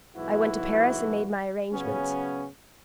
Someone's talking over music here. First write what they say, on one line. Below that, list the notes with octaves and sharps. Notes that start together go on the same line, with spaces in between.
I went to Paris and made my arrangements.
B1 G#2 E3 E4 F#4
C#3 F#3 B3 C#4